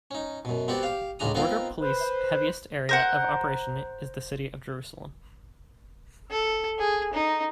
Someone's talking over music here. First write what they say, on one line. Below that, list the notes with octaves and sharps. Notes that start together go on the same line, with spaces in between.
The Border Police heaviest area of operation is the city of Jerusalem.
C#4 D#4
F#2 B2
B3 C4 F#4 G4 D5
G4 F5
C#2 A2 G#3 D4 A#5 D#6
B3 C4 D#4 F4 A#4 D#5
B4 C5
A#4 C5 F#5
A4
G#4
D#4